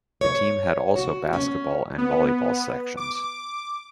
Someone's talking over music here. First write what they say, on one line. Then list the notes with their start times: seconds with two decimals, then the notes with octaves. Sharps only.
The team had also basketball and volleyball sections.
0.21 C#5
0.96 F#4
1.33 C#4
1.98 B3
2.97 D6